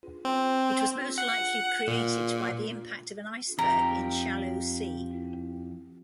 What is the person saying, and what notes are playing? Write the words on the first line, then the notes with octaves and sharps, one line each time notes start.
It was most likely created by the impact of an iceberg in shallow sea.
C4
F#5
A#2
F2 G4 A#4 A#5